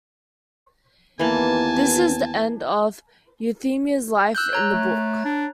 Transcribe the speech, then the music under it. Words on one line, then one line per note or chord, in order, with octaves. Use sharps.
This is the end of Euphemia's life in the book.
D#2 E3 A#3 B3 G#5 A5
E6 F#6 G6
C#5 A#5 F#6
A3
D4